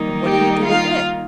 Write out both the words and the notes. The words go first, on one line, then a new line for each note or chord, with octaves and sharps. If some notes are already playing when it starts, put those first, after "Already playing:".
"And what do you do with it?"
Already playing: D#3 G3 A#3 D#4
G4 G5
F4 F5